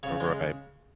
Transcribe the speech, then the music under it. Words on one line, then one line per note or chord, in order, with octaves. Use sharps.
You're right.
C#3 C#5
G#3